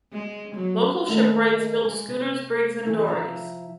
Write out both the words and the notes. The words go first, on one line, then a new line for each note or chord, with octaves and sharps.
Local shipwrights built schooners, brigs and dories.
G#3
F#3
D#2 A3 A4 A#4 D#5
G#3
C3
E3 E4
C3 F3 E4 E5 A#5